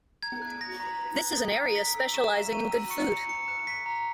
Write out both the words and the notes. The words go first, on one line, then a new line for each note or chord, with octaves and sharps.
This is an area specialising in good food.
A#5 G#6
F#6
D#6 A#6
A#5
A#5
F#6
D#6
A#5
A#5 B6
E6
C#6 E7
A#5
A#5 D#7
E6
C#6 C#7
A#5
A#5 C#7
F#6
C#6 B6
A#5